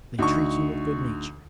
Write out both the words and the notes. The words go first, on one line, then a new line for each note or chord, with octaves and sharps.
They treat you with good-nature.
D2 D#4 C#6